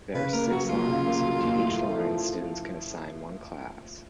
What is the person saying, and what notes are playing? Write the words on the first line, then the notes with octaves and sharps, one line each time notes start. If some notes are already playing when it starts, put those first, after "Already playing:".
There are six lines; to each line students can assign one class.
C#3 B4
A#3 A#4
F#3 F#4
D#2 F4
C#3
A#3
F#3
D#2
A2
A3
F3